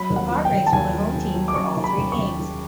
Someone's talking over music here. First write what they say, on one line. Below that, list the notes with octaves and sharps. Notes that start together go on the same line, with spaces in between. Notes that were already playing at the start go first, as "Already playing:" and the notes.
The Padres were the home team for all three games.
Already playing: F#3 B5
D#2
F#5
F#3
G5
D#2
A5
D#2 G#5
F#3
D#3
F#3
D6
D#2 C#6
D#3
B5
D#2
C#6
D#2
D#3